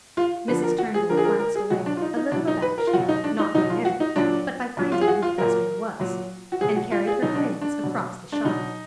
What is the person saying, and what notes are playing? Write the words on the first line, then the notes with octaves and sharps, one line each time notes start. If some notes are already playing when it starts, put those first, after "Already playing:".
Mrs. Turnbull flounced away, a little abashed, not by Mary, but by finding who the customer was, and carried her commands across the shop.
F4
D3 F3 B4
A#4
F#4
G#4
D3 F3 A#4
G#4
A#4
A#4
G#4
B2 F#3 F#4
D4
F4
D#4
D#4
B2 F#3 D4
D#4
B4
A#4
F4
B2 F#3 F#4
D#4
D4
D#4
B2 F#3 D#4
F4
F#4
D#4
A#2 F#3 D4
A#2 F#3
F4
G#4
F#4
F4
A#2 F#3 A#4
A#2 F#3
F#4
B2 F#3 G#4
F#4
F4
G#4
B2 F#3 D#4
D4
D4
B2 F#3
D4
B2 F#3 D#4